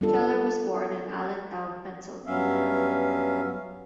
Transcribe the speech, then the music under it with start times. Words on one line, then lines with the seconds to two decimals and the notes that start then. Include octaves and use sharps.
Keller was born in Allentown, Pennsylvania.
0.01 G3 B3 D4 F4 A4
2.27 G2 F#3 B3 C#4 E5 F5